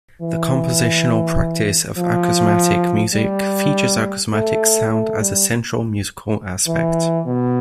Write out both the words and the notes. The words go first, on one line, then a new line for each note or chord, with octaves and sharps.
The compositional practice of acousmatic music features acousmatic sound as a central musical aspect.
E3
F3
G3
A3
A3
G3
E3
B2